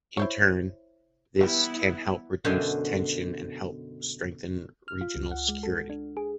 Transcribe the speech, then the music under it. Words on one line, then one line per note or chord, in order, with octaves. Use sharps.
In turn, this can help reduce tensions and help strengthen regional security.
E4 C5 C#5
E3 G3 B3 E4
F#2 B2 D3 C5 E5 G#5
F6
F4
C#2
F#5
G#3
A4
D4
G#4